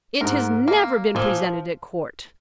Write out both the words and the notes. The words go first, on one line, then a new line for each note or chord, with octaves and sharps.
"It has never been presented at court."
G#2 A#4
A#3
A#2 F3